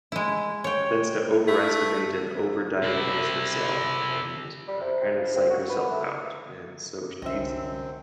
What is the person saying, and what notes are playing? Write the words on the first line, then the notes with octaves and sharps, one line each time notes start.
tends to overestimate and overdiagnose herself and, uh, kind of psych herself out, and so she's
G#3 E4
C#5 G5
A3
C3 E4
G3
C3
C4
F3
C4
F#4
B4
A3
C2 F#2 D3 C4 C#4 D#5 E5